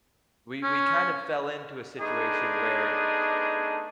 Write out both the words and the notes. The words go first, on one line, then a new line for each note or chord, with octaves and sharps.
we we kinda fell into a situation where,
C#4
A3 B3 D4 D#4 G#4